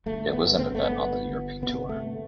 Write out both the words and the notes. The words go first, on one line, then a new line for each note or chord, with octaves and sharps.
It was an event on the European Tour.
G1 A3
B3
G1
C4
B3
A3
G1 B3
G1
C3 B3
A3